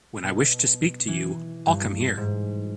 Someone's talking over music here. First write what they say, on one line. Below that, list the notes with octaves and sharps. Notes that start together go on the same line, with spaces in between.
When I wish to speak to you I’ll come here.
B2
E3
G2
G#2